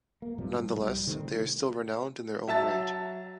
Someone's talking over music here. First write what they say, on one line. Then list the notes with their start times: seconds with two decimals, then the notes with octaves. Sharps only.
Nonetheless, they are still renowned in their own right.
0.22 A#3
0.38 G#2 C3 F3 G3
0.79 C2 G3
1.07 C3 D#3 A3 C4
2.48 F#3 E5 A5 A6